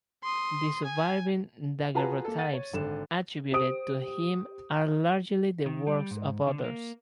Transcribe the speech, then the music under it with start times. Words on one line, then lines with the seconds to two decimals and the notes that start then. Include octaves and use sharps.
The surviving Daguerreotypes attributed to him are largely the works of others.
0.24 C6 D#6
0.85 G#5
1.95 F4 F#4 G#4 B4 A5 A#5
2.25 A#3 A4
2.38 F#5 A6 D#7
2.53 C#5
2.73 G#1 D3 E7
3.52 G4 C5 D#6 D7
5.66 D#3
5.87 G3
6.11 G#2
6.47 D3
6.64 A#3